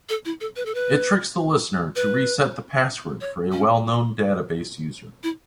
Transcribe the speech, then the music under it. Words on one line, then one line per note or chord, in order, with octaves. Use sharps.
It tricks the listener to reset the password for a well known database user.
A4
E4
A4
B4
A4
B4
B4
C#5
C#4
E4